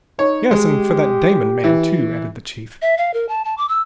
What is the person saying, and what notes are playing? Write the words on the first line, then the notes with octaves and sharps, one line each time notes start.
"Yes, and for that Damon man, too," added the chief.
D#4 C#5
G#3 G4
E3
E5
F5
A#4
A5
A5
D6
E6